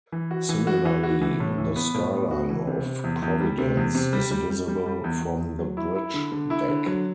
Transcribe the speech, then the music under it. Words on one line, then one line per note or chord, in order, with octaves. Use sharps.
Similarly, the skyline of Providence is visible from the bridge deck.
E3
F#4
E3
F#4
E3
F#4
E3
A2
E3
B3
A2
B3
F#4
E3
C3
C3
E2
E2
G3
C3
E2
C3
G3
G3
G3
G3
G3
E2
E2
E2
F#3
E4
E4
D3
D3
E4
D3
F#3